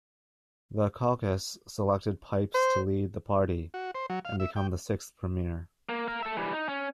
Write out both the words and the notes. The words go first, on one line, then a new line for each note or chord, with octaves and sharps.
The caucus selected Pipes to lead the party and become the sixth Premier.
C5
F#4
C5
F#3
F5
E5
G5
A#3
A#4 F5
A4 E5
E3 G3
D#4
C#4